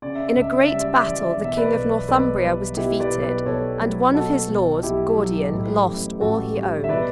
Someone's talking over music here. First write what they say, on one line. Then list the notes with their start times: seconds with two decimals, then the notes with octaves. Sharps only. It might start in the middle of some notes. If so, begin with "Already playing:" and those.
In a great battle the King of Northumbria was defeated and one of his lords, Gordian, lost all he owned.
0.02 C#3 D5
0.15 E5
0.28 D5
0.36 C#2 E5
0.54 D5
0.67 G3 E5
0.80 D5
0.93 E5
1.06 E3 D5
1.19 E5
1.32 D5
1.40 B2 E5
1.57 B4 D5
1.74 B1
2.08 B1 B4 D5
2.43 G3
2.77 B2 E4 G4
3.00 B4 D5
3.11 B1
3.23 B4 D5
3.46 B1 A4 C#5
3.80 F#3
4.14 B2 F#4 A4
4.49 B1
4.83 B1 E4 G4
5.18 F#3
5.52 A2
5.86 A1
6.21 A1 F#4 A4
6.55 G3
6.84 E5
6.89 B2 B4 D5